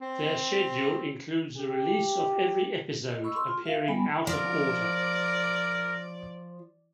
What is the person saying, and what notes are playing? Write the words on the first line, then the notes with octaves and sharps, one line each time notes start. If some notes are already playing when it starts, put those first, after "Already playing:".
Their schedule includes a release of every episode, appearing out of order.
C4
G4
D#5
B5 C#6 E6
C6
F4
E5 F5
G3 B3 G#5 B5
F3 A#4 D5